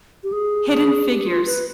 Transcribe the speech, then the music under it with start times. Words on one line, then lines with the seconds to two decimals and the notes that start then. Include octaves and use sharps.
Hidden Figures.
0.24 G4
0.32 G#4
0.70 G#4
1.08 G4
1.26 F4
1.45 B4